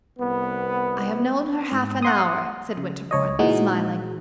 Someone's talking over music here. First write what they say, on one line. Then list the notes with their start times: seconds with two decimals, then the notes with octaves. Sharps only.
"I have known her half an hour!" said Winterbourne, smiling.
0.18 C2 B3
1.72 G#2
2.02 F#5 C6 D#6
2.77 C#3
3.11 C#2 C#5 D#5
3.39 A#2 E3 G#3 D#4 F#4